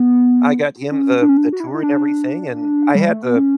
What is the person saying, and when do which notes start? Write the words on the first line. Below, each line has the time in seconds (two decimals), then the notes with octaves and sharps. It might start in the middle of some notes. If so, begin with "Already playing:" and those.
I got him the the tour and everything, and I had the
Already playing: B3
0.92 C#4
1.22 D4
1.29 C#4
1.37 D4
1.53 F#4
1.60 E4
1.67 D4
1.74 E4
1.83 D4
2.95 G3
3.09 A3
3.23 B3
3.36 C#4